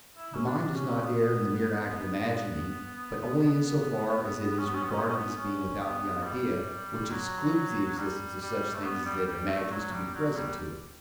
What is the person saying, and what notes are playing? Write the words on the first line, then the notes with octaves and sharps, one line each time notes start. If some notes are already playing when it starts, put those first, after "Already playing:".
The mind does not err in the mere act of imagining, but only in so far as it is regarded as being without the idea, which excludes the existence of such things as it imagines to be present to it.
E4
C#4
D4
C#4
B3
B3
C#4
B3
C#4
B3
C#4
B3
C#4
B3
C#4
B3
G3
F#3
G3
G3
A3
B3
G3
G3
A3
F#3
G3
F#3
G3